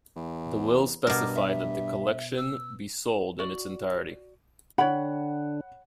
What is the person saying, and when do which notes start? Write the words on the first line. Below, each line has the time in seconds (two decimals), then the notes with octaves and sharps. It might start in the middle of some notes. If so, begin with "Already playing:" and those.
The will specified that the collection be sold in its entirety.
0.16 E2
1.07 G2 B2 A#4 D6
1.35 E5
2.38 E6
3.39 F#4 D5
4.78 D3 D4 C#5 F#5 G5 B5